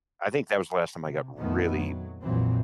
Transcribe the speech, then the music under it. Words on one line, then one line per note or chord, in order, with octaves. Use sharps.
I think that was the last time I got really
C3
F2 A#2 D#3 F3 A3 B3
F#3
A#1 F2 A#2 E3 F#3 C4